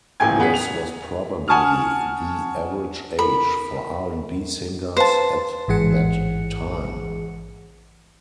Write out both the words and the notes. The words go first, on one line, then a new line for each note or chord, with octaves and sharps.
This was probably the average age for R and B singers at that time.
D#1 A1 A2 G5 G#5 G#6
B3 G#4 B6
F7
F#5 G#5 A5 C#6 D#6 F6
A4 A#4 B5
B4 C5 F5 A5
A1 G#2 E3 G#4 F#5 C#7